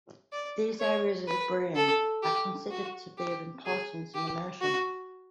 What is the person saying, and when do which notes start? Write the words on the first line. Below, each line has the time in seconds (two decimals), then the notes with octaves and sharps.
These areas of the brain are considered to be of importance in emotion.
0.32 D5
0.80 C#5
1.27 B4
1.75 A4
2.23 G4
2.71 F#4
3.18 G4
3.66 G#4
4.14 G4
4.61 F#4